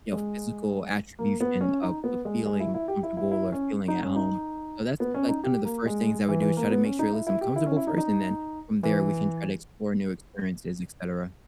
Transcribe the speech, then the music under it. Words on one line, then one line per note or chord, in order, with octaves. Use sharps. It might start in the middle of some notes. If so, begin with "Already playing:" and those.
you know, physical attribution of of feeling comfortable or feeling at home, so that's, like, kinda the first things I would do, is try to make sure at least I'm comfortable first, and then from there we can try to explore new experiences, et cetera.
G#3
A#3
B3
C#4
D#4
B3
G#3
G#3
E4
E4
G4
E4
E4
E4
C#4
D#4
C#4
D#4
B3
C#4
D#4
G4
A#3
G#3
E3
E3
A#3
B3
C#4
D#4
E4
E4
G4
E4
C#4
E4
D#4
D#4
E3